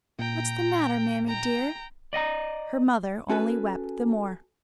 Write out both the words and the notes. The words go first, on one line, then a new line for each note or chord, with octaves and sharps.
What's the matter, mammie dear?' her mother only wept the more.
A#2 G5 A#5
G5 A#5
D5 D#5 F#5 A#5
C#4 F#4 G#4 A4 B4